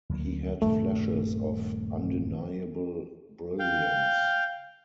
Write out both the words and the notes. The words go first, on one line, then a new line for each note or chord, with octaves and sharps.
He had flashes of undeniable brilliance.
D2 F#3 A#3
D#1 G2 C3 A3
F5 G5